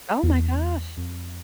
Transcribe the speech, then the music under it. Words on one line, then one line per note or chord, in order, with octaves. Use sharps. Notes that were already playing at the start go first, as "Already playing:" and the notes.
Oh my gosh.
E2
F2